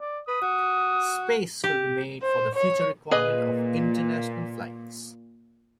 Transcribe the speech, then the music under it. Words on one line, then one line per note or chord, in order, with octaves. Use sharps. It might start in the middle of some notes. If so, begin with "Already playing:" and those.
Space will be made for the future requirements of international flights.
D5
B4 D#6
F#4
G4
C5
C#5
A#2 G#4 B4 D#5